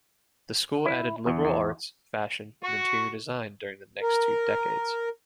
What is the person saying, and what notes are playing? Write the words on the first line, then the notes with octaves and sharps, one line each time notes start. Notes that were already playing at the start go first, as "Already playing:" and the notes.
The school added liberal arts, fashion, and interior design during the next two decades.
E4
E2
E2
F#4 C#6
A#4